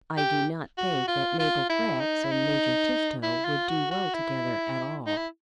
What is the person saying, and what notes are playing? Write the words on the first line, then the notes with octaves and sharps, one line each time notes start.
"I do not think that Mabel Grex and Major Tifto would do well together at all."
G4
F#4
F4
F4
E4
D#4
E4
D#4
E4
F4
F#4
F#4
E4
D#4
E4